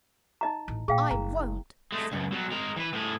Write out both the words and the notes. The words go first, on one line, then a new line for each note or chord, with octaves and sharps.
"I won't!" said Mary.
D#4 D#5 A#5
A1
A#2 G#4 F5 G5
F#1 A#5
G#3 A3
C#2 F#2
B2 F#3
G#3 A#4
E3 B4
A2 G#4